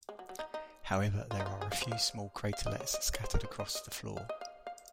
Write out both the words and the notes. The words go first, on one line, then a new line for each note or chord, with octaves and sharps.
However, there are a few small craterlets scattered across the floor.
G#3
F#3
F#3
D#4
D#4
F4
D#4
F4
G#4
F5
C5
F5
F5
D#5
C#5
D#5
C#5
C5
A#4
C5
D#5
D#5
F5
D#5
F5
F5